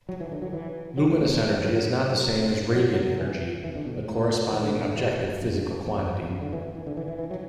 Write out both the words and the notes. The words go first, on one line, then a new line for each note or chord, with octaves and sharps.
Luminous energy is not the same as radiant energy, the corresponding objective physical quantity.
F#3
E3
D3
F#3
E3
F#3
A2
B2
D3
E3
E3
F#3
F#3
F#3
F#3
E3
E3
D3
B2
A2
A2
B2
A2
E3
D3
B2
D3
E3
E3
F#2
E2
E2
F#2
D3
E3
E3
D3
E3
E3
E3
F#3